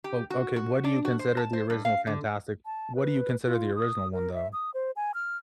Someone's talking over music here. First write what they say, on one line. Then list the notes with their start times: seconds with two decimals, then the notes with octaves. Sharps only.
Oh, okay. What do you consider the original Fantastic f What do you consider the original one, though?
0.04 G4
0.30 F#4
0.56 F#4
0.84 D4
1.05 F#4
1.19 C5
1.37 A5
1.53 C5
1.70 G2
1.85 F5
2.07 D3
2.66 A5
2.95 B4
3.46 F4
3.75 D#6
4.13 A#4
4.34 E5
4.53 D#6
4.74 C5
4.96 G#5
5.14 F6